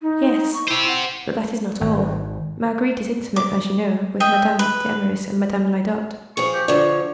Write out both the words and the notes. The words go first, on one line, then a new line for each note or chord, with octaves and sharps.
"Yes, but that is not all: Marguerite is intimate, as you know, with Madame d'Eymeris and Madame Lyodot."
D#4
C#6
E4 G4 C5
F#5
G#1
D6
D#5 E5 G5
B4
F3 G#4 C#6
G4
D3 F3 C#5 D5